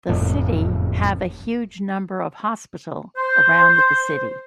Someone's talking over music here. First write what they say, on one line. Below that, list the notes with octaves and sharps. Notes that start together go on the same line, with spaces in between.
The city have a huge number of hospital around the city.
F#1 F2 A2
C5